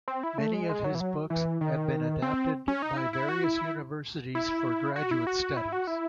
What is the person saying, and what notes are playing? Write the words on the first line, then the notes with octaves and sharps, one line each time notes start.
Many of his books have been adopted by various universities for graduate studies.
C4
E4
A3
G#3
G#3
F#3
E3
F#3
E3
D#3
C4
C#4
D#4
E4
E4
F#4
E4
E4
F#4
E4
F#4
E4
F#4
E4